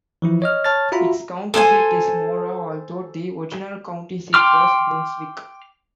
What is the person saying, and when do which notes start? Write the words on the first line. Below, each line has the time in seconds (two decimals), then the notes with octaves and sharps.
Its county seat is Mora, although the original county seat was Brunswick.
0.22 E3 F3 E4
0.42 C#5 D#5 F6
0.64 C#5 A5 F6 A6
0.92 F4 F#4 E5 A#5 B5
1.54 A4 C5 F5 G#5
4.34 G5 C6 D6 F6